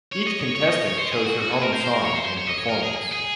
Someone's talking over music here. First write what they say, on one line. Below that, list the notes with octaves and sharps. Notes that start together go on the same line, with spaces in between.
Each contestant chose her own song and performance.
C#5
D#5
C#5
C#5
D#5
C#5
C#5
C5
G#4
F#4
F#4
G#4
A#4
C5
C5
A#4
C#5
C5
C5
C#5
D#5
C#5
A#4
G#4
G#4